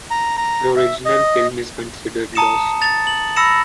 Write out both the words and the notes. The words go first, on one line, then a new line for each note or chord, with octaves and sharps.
The original film is considered lost.
A#5
A#5
E5
D#5
A5 A#5 D#6 C#7 E7
A6 F7
F#7
B5 E6 A#6 C#7 E7